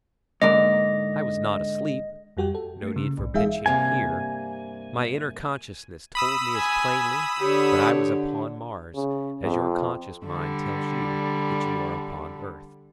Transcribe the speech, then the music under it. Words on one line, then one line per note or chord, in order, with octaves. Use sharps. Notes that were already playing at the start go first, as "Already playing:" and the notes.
I was not asleep, no need for pinching here; my inner consciousness told me as plainly that I was upon Mars as your conscious mind tells you that you are upon Earth.
G#2 D3 A#3 D#5
F2 G3 F#4 G4 G5
A4
A3 A#3
C#3
B1 G#2
E3 G#3 D#4 G#4 E5 F5
G2 C3 A#3 G#5
B5 D#6 E6
G#5
D3 G4 C#5
C#3
F2
D3 G3